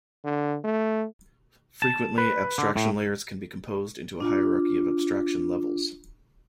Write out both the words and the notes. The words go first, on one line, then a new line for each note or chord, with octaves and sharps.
Frequently abstraction layers can be composed into a hierarchy of abstraction levels.
D3
A3
A5
B4
D3
A2
D4 F4